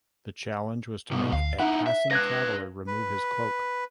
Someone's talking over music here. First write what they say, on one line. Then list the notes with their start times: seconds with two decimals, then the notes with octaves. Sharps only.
The challenge was to make a passing traveler remove his cloak.
1.11 C2 B2
1.33 D2 F5
1.60 D#4 E4 F#5
1.87 E5
2.11 B4 F5 F#6 G#6 A#6
2.87 B4